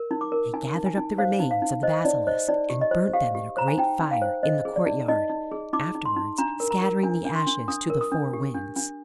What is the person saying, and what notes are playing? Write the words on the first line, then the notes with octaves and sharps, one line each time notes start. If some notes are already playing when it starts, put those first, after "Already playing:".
They gathered up the remains of the basilisk, and burnt them in a great fire in the courtyard, afterwards scattering the ashes to the four winds.
Already playing: A#4
D#4
D6
A#4
D#4 G#5
D#4
G#5
D#4
C5 F5
D#4
F5
D#4
C5 D#5
D#4 D5
C5 D#5
D#4 D5
G4
D#5
C5
G4 F5
G4
C5 A#5
G#5
D#4 G5
D#4
F5
C5
C5 D#5
G#4
D5
D#4
D#4 D#5
D#4
G#4
D#4 D6
D#4
C6
D#4
D4 A#5
A#4
A#5
A#4
D4 G#5
D4
C6
D4
D4 D#6
A#4
D#6
D4
G4
D4
D4